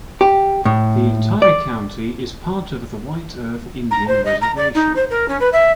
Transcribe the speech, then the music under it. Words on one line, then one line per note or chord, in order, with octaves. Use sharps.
The entire county is part of the White Earth Indian Reservation.
G4
A2
D5
A#5
C5
D#5
A#5
D5
D#4
C5
A#4
C#4
B4
E5